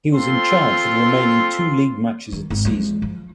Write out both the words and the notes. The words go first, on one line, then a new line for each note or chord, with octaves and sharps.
He was in charge for the remaining two league matches of the season.
C4 F4 A4 C6
D#3
G#1
F3 G#3
F3